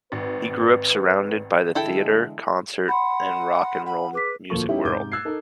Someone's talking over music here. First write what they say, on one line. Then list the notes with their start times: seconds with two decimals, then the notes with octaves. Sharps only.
He grew up surrounded by the theatre, concert, and rock and roll music world.
0.12 G#1 B4
1.75 D3 E3 G#3 E4 A4 G5
2.88 F#5 B5 C6
3.86 F#5 B5
4.13 G#4 B4 D6 B6
4.50 D2 A#2 F3 A#3 A4 C#6
4.69 G3 B3 C#4 D#4 E4 G4
4.84 G#2 C3 D6 G6
5.12 E6 F#6 G#6 A6 C7
5.25 D#4 A4 A#4